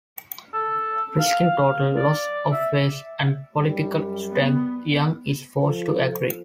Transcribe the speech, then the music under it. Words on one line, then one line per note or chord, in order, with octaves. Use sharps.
Risking total loss of face and political strength, Young is forced to agree.
A4
F5
D5
E5
F#2 G3
B3
F3 A4